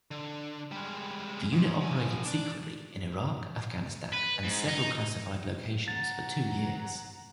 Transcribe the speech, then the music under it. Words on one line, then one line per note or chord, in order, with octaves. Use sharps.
The unit operated secretly in Iraq, Afghanistan and several classified locations for two years.
D3
G3 G#3
G#2
F3 G#5
D4 D5
B4
G#2
D#4
F#5 A#5 A6